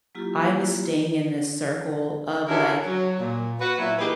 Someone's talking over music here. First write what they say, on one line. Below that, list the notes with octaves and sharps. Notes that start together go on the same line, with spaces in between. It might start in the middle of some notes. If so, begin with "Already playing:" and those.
I was staying in this circle of like
F#3 A#3 E4 F4 G4
C#4 D4 E4 F#4 G4 A#4
F#3
A#2
F#4 B4
A#2 F#3 B3 E4
E3 A#3 D#4 G4 G#4 B4